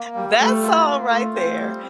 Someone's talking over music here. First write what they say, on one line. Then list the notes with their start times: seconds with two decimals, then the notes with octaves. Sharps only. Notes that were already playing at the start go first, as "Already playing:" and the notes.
That song right there
Already playing: A#3
0.15 G3
0.39 G3 A3
0.63 F4
0.87 A#3
1.10 A3 F4
1.34 C4
1.45 A3
1.58 G3